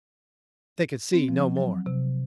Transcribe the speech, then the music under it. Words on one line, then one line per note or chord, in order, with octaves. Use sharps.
They could see no more.
C4
F3
F#3
C3